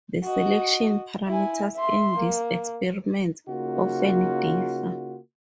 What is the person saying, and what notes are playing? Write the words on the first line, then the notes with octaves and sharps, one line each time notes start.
The selection parameters in these experiments often differ.
F#4 D#5
E4 G#5
E5 C6
A#3
C#3 A#3 D#4 F4 F#4